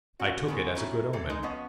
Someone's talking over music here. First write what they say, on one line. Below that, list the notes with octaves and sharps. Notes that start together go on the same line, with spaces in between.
I took it as a good omen.
C#4 F#4
C#3 F#3 G#3 B3
D#3 F#3 C#4 E4
C3 E3 G#4 A4
G#3 D#4 A#4
F3 B3 C#4 D#5